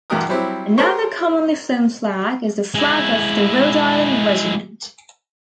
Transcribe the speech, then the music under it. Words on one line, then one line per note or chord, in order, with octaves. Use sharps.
Another commonly flown flag is the Flag of the Rhode Island Regiment.
E2 G2 B2 G4 A#4 D#6
F#3 G3 C4 E4
G#4 A#4 C5 C#5
G#3 E4